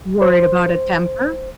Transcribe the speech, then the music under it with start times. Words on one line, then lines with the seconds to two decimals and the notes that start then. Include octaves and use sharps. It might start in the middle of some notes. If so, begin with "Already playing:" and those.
Worried about a temper?
0.21 C5